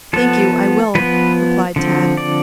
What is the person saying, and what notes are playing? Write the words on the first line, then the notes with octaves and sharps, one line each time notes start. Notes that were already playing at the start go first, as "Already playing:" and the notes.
"Thank you, I will," replied Tad.
F3 B3 A4
F3 B3 B4
D3 F3 C4
D5